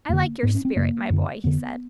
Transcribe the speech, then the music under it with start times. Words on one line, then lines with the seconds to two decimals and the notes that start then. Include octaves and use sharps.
"I like your spirit, my boy," he said.
0.09 F2 D3 A#3
0.43 G#2 B3
0.55 C#4
0.65 C4
0.76 F#2 C#3 A#3
1.10 F#2 D3
1.44 F2 D3 B3